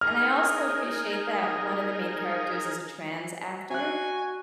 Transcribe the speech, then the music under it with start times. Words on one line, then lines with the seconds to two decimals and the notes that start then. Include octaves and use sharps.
And, I also appreciate that one of the main characters is a trans actor,
0.01 D#4 G#4 A#4 F6
3.71 F#4 G#5 F#6 C7